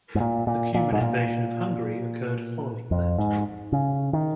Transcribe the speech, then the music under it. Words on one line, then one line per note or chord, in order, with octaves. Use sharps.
The Cuman invasion of Hungary occurred following that.
G#2
A#2
A#2
A#2
G#2
A#2
F2
G#2
C#3
D#3